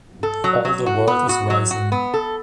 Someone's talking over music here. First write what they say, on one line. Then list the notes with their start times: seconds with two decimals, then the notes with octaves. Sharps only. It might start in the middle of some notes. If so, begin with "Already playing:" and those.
All the world is rising.
0.23 A4
0.44 F#3
0.65 F#3
0.86 F#4
1.07 B3
1.29 F#4
1.50 F#3
1.71 F#4
1.92 B3
2.14 A4